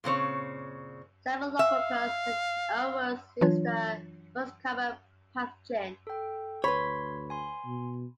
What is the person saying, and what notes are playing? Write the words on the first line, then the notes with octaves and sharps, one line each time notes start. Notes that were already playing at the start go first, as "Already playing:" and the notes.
Staphylococcus aureus is the most common pathogen.
A#2 C#3 C4 C#5
E5 F5
E3 F#3 D4 F4 C#5
A4 G5
D2 B4 C#5 B5 C6 G#6
G#5 C6
B2